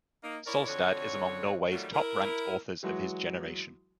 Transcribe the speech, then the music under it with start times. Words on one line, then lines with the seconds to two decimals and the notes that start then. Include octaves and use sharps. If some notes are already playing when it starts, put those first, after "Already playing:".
Solstad is among Norway's top-ranked authors of his generation.
0.23 A#3 D#4
0.46 E4 A#4 C#5 D5
0.67 F2 D3 F#4 C#5
1.72 D#3 F#3 G3 A3 F4
1.93 E4 A#4
2.83 E3 F#3 G#3 F#4